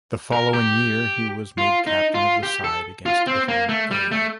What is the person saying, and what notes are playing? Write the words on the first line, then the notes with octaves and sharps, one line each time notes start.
The following year he was made Captain of the side against Italy A.
A#4
G4
F4
D#4
F4
G4
A4
F4
C4
A#3
A3
G3
A3